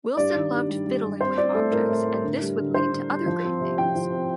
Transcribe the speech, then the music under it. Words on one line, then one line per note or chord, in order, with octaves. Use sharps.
Wilson loved fiddling with objects and this would lead to other great things.
G2 D5
D#3
G2
G3
G3
G2
C4 C5
C4 D5
A3 A4
A2 A#4
A2
A2
D3
G3
D3
D3 C5
D3
G3
F3
C4
C3
F3 G5
F3
C4